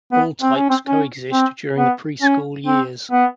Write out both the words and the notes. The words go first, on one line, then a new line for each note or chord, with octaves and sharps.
All types coexist during the preschool years.
B3
C4
C#4
C4
C#4
C4
B3
C#4
C4
B3